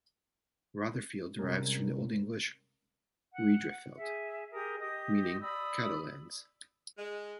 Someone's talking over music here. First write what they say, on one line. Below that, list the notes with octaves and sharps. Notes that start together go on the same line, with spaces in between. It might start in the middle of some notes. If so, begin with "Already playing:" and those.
Rotherfield derives from the Old English "redrefeld" meaning "cattle lands".
C3 G3 G#3 C4 C#4 A#4
F#5
G#4 E5
G4 G#4 A#4 D#6
G4 D#5 D#6
D5 B5 D#6 E6
G#3